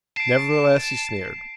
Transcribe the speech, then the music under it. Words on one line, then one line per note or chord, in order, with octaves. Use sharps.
Nevertheless, he sneered.
A5 C7 D7